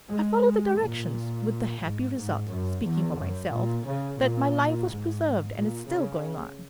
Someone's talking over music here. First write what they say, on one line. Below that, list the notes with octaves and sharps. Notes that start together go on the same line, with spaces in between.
I followed the directions, with the happy result--speaking for myself--that my life was preserved, and is still going on.
G#3
A#2
G#2
G#2
F#2
E2
F#2
A#2
C#3
A#2
G#2
A#2
C#3